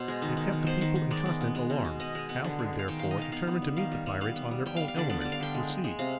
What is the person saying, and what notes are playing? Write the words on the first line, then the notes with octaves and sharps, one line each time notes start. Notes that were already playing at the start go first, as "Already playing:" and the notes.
They kept the people in constant alarm. Alfred therefore determined to meet the pirates on their own element, the sea.
Already playing: B2 C5
G#3
D#3
D#3
D#3
B3 C5
D#3
D#3
G#3 D5
B3
B3
G#3
B2
B2
B3 D#5
G#3
B3
D3
G#3
G#3
F5
D#3 G5
D#3 F5
D#5
D#3 F5
B3 F5
B3
G3
D#3 F5
G3
G3
B3 F5
B3
G3
G3 G5
G3 F5
F5
D3 D5
B3 D5
G3 D5
F5
D3 G5
G#3
G#3
G#3
C3 F5